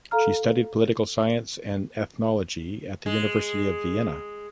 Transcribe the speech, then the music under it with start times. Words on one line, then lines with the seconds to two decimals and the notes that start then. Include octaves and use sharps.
She studied political science and ethnology at the University of Vienna.
0.11 A4 F5 A#5 F6
3.06 G#3